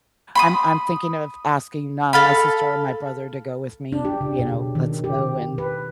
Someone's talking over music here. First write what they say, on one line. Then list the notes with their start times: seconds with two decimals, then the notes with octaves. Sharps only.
I'm I'm thinking of asking, um, my sister or my brother to go with me, you know, let's go and
0.35 B5 C6 D#6
2.13 A4 F5 B5
3.92 D4
4.05 G4
4.21 C#3
4.39 B2
4.75 D#3
5.04 G4
5.58 B4